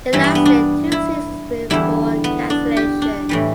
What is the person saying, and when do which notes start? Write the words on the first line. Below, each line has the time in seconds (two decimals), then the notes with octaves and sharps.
It lasted two seasons before cancellation.
0.13 G2 E3 G3 E4
0.24 D4
0.35 B3
0.45 D4
0.92 E4
1.70 E2 D3 G3 E4
2.24 B3
2.50 D4
2.77 G4
3.02 D4
3.29 A2 E3 G3